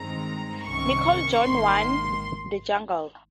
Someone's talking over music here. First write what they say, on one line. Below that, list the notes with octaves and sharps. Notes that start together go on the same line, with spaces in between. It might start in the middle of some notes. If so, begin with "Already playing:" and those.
Nicol joined One the Juggler.
Already playing: G2 D#3 G#3 C4 A#5
C2 C3 D#3 A#3 C#4 C#6
G#1 G#2 D#3 A#3 C6